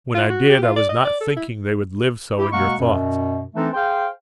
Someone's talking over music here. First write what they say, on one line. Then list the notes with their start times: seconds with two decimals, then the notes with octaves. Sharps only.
When I did I was not thinking they would live so in your thoughts.
0.15 F4
0.29 F#4
0.50 G4
0.62 F4
0.76 D5
0.89 D#5
1.05 D5
1.20 A4
1.36 E4
2.37 E4 G4
2.51 B2 G#3 A#3 F#5 C#6
2.79 F#2 B2
3.55 E3 A3 C4 D4 D#4 A4
3.74 G#4 C5 F5 G5